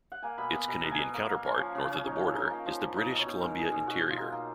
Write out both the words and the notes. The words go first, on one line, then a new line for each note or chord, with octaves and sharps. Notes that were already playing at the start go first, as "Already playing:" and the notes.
Its Canadian counterpart, north of the border, is the British Columbia Interior.
F#5
A#3 G#5
B2 B5
B2 B5
B2 A#5
B2
G#5
B2
A#3
A#3
C#4
F3
C#3
C#4
D#4 C#5
F3
D#4
A#3
F3
F3
D#4 C#5
B2
C#5
B2
G#3 A#4
G#3
G#4
B2
B2 F#4
B2
F4
D#4
A#3